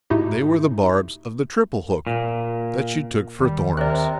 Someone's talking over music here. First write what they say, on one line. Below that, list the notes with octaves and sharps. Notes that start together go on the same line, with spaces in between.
They were the barbs of the triple hook that she took for thorns!
G#2 A3 D#4 E4 F#4 G4
A#2
D#2 D#3 G3
C3 A#4 D5 F#6